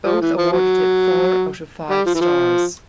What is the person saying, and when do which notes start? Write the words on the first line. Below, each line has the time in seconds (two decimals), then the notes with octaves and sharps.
Both awarded it four out of five stars.
0.05 F3
0.21 E3
0.37 F3
0.52 F#3
1.89 G3
2.06 F3
2.14 E3
2.21 F3